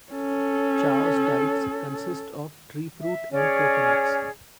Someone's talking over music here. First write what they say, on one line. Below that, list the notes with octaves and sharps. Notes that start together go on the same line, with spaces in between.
Chao's diets consist of tree fruit and coconuts.
C#4 A4
E5
C#4 G#4 C#5 D5